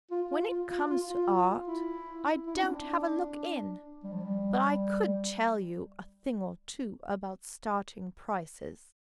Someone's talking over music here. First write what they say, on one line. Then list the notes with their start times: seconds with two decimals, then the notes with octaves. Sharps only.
When it comes to art, I don't have a look in; but I could tell you a thing or two about starting prices.'
0.11 F4
0.31 F4
0.51 F4
0.70 F4
0.90 F4
1.10 F4
1.68 E4
2.47 E4
2.55 D4
2.63 C4
2.71 D4
4.04 G3
4.12 F3
4.21 G3